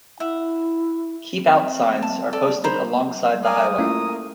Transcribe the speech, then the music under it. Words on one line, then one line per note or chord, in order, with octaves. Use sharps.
"Keep Out" signs are posted alongside the highway.
E4 E5 F#5
C4
A5
A4 D5
C5 A#5 B5
A#4 D5 F5 G#5 D#6
A3 A#3 C#4 E4 F4 A#4